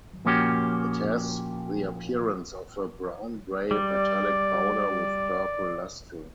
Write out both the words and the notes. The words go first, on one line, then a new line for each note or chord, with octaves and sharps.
It has the appearance of a brown-gray metallic powder with purple lustre.
A#2 F3 A#3 C#4 F#4 G4
G3 D5